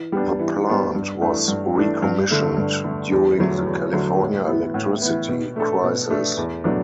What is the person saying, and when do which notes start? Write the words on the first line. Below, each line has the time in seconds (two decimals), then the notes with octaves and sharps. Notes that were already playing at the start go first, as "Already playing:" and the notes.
The plant was recommissioned during the California electricity crisis.
Already playing: E3
0.12 G3 B3 D4
0.39 E3
0.67 G3 B3 D4
0.95 G2
1.21 E3 A3 D4
1.48 G2
1.75 E3 A3 D4
2.02 G2
2.30 D3 A3
2.57 G2
2.84 D3 A3
3.12 E2
3.38 D3 F#3 A3
3.66 E2
3.93 D3 F#3 A3
4.20 A2
4.47 E3 B3
4.74 A2
5.02 E3 B3
5.29 B2
5.56 A3 D4 A4
5.83 B2
6.10 A3 D4 A4
6.37 E2
6.64 B2 F#3 A3 D4